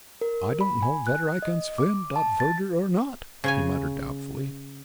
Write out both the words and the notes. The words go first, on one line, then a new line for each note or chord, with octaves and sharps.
"I don'd know vedder I can swum dot furder or not," he muttered, doubtfully.
A#4
B5
G#5
F#6
D#5
D6
A5
A6
C#3 C#5 G#5